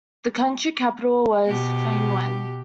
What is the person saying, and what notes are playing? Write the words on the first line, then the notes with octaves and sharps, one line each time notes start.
The county capital was Fengyuan.
B2 G4